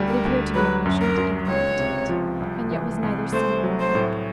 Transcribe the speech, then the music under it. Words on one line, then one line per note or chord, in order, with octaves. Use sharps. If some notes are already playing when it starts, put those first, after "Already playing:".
It appeared to be omniscient and omnipotent, and yet was neither seen nor heard.
Already playing: D2 G3
A#4
D2
F#3 B4
F#2
A#4
F#2
C#2 C#5
C3
F3
C2
E3
C2
A3 C5
F#3
C5
A2